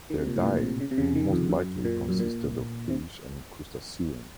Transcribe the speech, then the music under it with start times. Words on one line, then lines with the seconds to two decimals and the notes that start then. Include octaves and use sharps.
Their diet most likely consisted of fish and crustaceans.
0.10 D#3
0.19 C3
0.27 A#2
0.36 A2
0.45 A#2
0.62 C3
0.80 C#3
0.91 C3
0.98 C#3
1.15 D#3
1.33 F2
1.50 F#2
1.85 A#2
2.09 F#2
2.19 A#2
2.90 C3